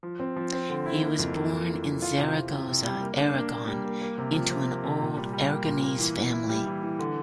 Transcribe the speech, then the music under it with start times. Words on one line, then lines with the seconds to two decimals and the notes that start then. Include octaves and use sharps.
He was born in Zaragoza, Aragon, into an old Aragonese family.
0.03 F3
0.20 C4
0.36 F3
0.53 C4
0.69 D3
0.86 E4
1.02 A#3
1.19 F2
1.36 A#3
1.52 F2
1.69 E3
1.85 E3
2.02 F4
2.18 C3
2.35 C3
2.51 C3
2.68 C3
2.85 G3
3.01 A#3
3.18 D4
3.35 A#3
3.51 A#3
3.68 G3
3.84 A#3
4.01 A#3
4.18 C3
4.34 F3
4.50 C3
4.67 A#3
4.84 C3
5.00 A#2
5.17 G3
5.33 G3
5.50 A#3
5.67 A#2
5.83 A#3
6.00 E3
6.16 E3
6.33 E4
6.49 G3
6.66 E3
6.83 E3
6.99 D3